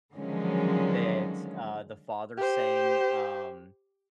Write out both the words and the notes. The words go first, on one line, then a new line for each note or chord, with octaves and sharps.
that, uh, the father sang, um,
D3 D#3 F3 F#3 G#3 C#4
G4 C5